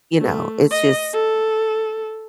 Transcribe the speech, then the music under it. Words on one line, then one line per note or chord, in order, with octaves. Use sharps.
You know, it's just
A3
D#5
A4